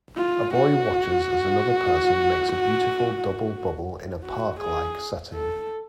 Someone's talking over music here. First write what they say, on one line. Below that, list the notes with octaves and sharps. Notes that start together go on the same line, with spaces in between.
A boy watches as another person makes a beautiful double bubble in a parklike setting.
F4
F#4
F#4
G#4
A4